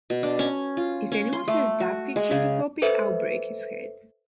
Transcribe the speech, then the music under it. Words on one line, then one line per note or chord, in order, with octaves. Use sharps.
If anyone says that picture is a copy I'll break his head!
B2
D4
C#4
F4
C#4
C6
A3
F#4
G#3
C#3
A4 B4 C5 E5